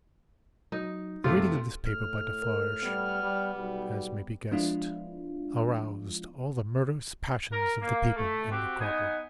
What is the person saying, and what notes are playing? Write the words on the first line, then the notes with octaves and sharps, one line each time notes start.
The reading of this paper by Defarge, as may be guessed, aroused all the murderous passions of the people in the court room.
F#3 D#4
F#2 C3 A3 F4
A2 F6
A#4
G3 B3
G3
B1 G3
F3 G#3 B3 D4 E4 F4
A#4
A#3
A3
C4 F#4 G4
B3 D#4 G#5